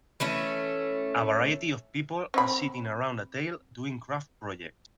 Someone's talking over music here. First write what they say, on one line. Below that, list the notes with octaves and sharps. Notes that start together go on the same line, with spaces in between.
A variety of people are sitting around a tale doing craft projects.
E3 A3 C#4
C4 B5